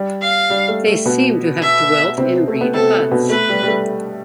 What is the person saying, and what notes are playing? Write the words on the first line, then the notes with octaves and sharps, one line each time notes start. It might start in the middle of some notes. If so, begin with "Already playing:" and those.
They seem to have dwelt in reed huts.
Already playing: G3
F5
G3
A3
A3
B2 B3
E5
C3 C4
A3
B3
C3 C4 A4
B2 B3
A3 B4
G3
G3
A3